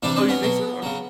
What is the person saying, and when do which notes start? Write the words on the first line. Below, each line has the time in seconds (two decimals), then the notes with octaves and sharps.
Oh, you think so? Okay.
0.03 C3 E3 G3 D4 E4
0.16 C4 D4
0.29 B3 C#4
0.42 B2 F#3 B3
0.82 C#3 F#3